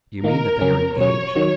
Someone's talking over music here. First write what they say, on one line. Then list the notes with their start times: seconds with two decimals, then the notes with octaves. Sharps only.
"Do you mean that they are engaged?"
0.24 D#3 A#3 D#4 A#4
0.61 C#3 F#3 C#4
0.97 B2 F#3 C#4 C#5
1.36 D#3 F#3